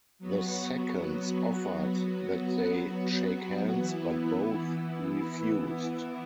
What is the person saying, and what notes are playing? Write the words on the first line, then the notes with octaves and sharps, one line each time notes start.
The seconds offered that they shake hands, but both refused.
F#3 B3 F#4
E3 B3 E4